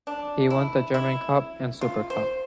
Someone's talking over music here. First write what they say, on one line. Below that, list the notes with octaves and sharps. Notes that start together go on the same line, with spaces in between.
He won the German Cup and Super Cup.
D4
E4
E4
F4
C5